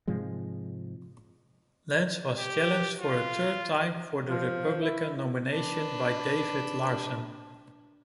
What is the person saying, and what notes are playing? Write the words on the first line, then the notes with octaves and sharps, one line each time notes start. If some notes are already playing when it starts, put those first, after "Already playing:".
Lance was challenged for a third time for the Republican nomination by David Larsen.
G#2 C3 F3 G#3
G4
F4
F3
E4
D4 B4